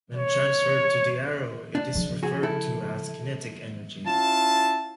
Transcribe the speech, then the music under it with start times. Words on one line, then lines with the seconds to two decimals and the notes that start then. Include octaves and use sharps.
When transferred to the arrow it is referred to as kinetic energy.
0.14 C#5
1.75 D4
1.95 C#3 F3
2.23 F#4 G#4
2.43 E4 A4
4.06 C#4 E4 F4 A5